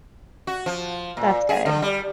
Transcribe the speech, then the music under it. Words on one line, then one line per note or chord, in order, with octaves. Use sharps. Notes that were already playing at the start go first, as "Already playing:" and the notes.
That's good.
F#4
F3
A#2
G#4
D3
G3